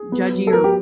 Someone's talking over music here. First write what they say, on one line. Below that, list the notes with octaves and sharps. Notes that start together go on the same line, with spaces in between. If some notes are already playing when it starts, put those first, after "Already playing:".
judgy or
Already playing: G#4
B3
F#3
A4
F#3 A#4
G4